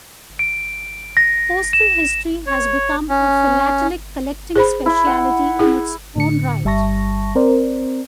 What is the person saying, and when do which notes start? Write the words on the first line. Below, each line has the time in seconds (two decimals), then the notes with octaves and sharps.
Postal history has become a philatelic collecting speciality in its own right.
0.39 D7
1.17 A#6
1.73 E7
2.47 C#5
3.09 C#4
4.56 G#4 C5 B5
4.86 E4
5.07 F#5
5.59 E4 G#4
6.16 A2 D3 C#7
6.64 G1 G3 E5 A5 C#6 A#6
7.35 C4 A#4 C5 D5